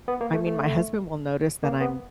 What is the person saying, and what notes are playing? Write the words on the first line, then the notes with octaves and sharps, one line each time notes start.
I mean, my husband will notice that I'm
B3
A#3
A3
A3
A#3
B3